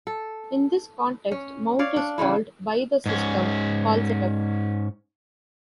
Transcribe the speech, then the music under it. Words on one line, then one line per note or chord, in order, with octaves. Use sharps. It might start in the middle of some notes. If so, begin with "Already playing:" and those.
In this context mount is called by the system call setup.
A4
C#4
C#5 D5 F5
D4
C#3 E3 A3 E4
G#2 C#4